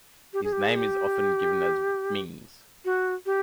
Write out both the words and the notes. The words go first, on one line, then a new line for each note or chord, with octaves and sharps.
His name is often given as "Mings".
G4
G#4
G4
G#4
G4
F#4
G4